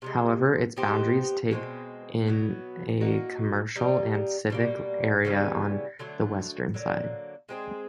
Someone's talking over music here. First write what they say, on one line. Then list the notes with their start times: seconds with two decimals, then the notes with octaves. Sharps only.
However, its boundaries take in a commercial and civic area on the western side.
0.02 C3 F3 G#3
0.77 B3 D#4 G4 C5
1.51 B2 G#3 C4
2.26 B2 F#3 B3
3.01 A#3 D#4 F#4
3.76 G3 A#3 D#4
4.50 B2 G3 A#3
5.25 C#3 E3 G3 B3
5.99 D3 F#3 A3
6.74 D3 F#3 A#3
7.49 G#3 C4 E4 G#4